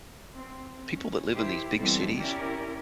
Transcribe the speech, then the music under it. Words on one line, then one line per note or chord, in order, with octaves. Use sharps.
people that live in these big cities,
C4
C#4
D#3 E4 G4 C5
B2 E3 G3 C4 E4 A4
C#4 E4 G4 A#4 D5